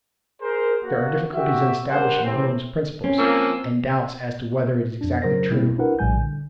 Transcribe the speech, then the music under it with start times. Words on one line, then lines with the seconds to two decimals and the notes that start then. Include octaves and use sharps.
There are difficulties in establishing Hume's principles, and doubts as to whether it is exactly true.
0.41 G#4 A#4 C5
0.84 A#3 F#4
1.34 F#4 G4 E5
1.88 G3 D4 A#4 C5 F#5
2.24 A2 C3 E3 C4
3.04 C4 C#4
3.18 F3 A#3 G#5 E6
5.01 F2 D4
5.22 C#3 F#3 A#4 C5 A#6
5.50 B2 G3 A#3 C4 E4
5.78 D4 E4 F#4 A#4 B4 F#5
5.99 A#1 A2 G3 G#5 G6
6.17 D3